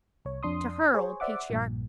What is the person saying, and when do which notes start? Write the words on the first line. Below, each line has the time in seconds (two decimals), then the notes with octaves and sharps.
To her, old patriarch!
0.25 C2 C#5
0.43 F2 D4 C6 D#6
0.94 G#4 C5 C#5
1.20 C5 D5 E5 F#5 D6
1.50 A#1 G2 A#2